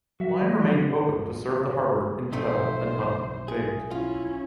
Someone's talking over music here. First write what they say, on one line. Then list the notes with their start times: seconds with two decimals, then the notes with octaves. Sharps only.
The line remained open to serve the harbour until an unknown date.
0.20 F#3 F#4 E5
0.42 E3 A#3
0.62 G4
2.32 B1 A3 C4 D#4 C5 E5
3.48 G#4
3.91 C#4 E4 F4